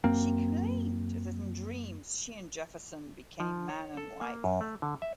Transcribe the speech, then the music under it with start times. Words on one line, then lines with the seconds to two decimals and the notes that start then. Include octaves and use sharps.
She claimed that in dreams, she and Jefferson became man and wife.
0.04 F#2 A#3 C4
3.40 F3
3.69 C#5
3.97 A4
4.21 A#3
4.44 F#2
4.61 A3
4.82 D3
5.02 E5